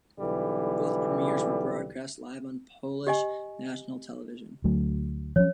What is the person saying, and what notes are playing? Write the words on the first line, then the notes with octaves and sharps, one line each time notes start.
Both premieres were broadcast live on Polish national television.
B1 D3 E3 G3
G4 D#5 G#5
D2 F#3 A3
F3 F#3 C#4 C#5